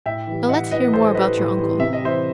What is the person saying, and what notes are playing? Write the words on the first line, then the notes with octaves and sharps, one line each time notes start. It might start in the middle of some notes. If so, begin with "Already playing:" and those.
"Now let's hear more about your uncle."
A2 E5 G5
E3 G3
A2 D#5 F#5
E3 G3 B4 D#5
A2 A4 C5
E3 G3 B4 D#5
A2
E3 G3
C3 E5
D#5
E3 G3 C5 E5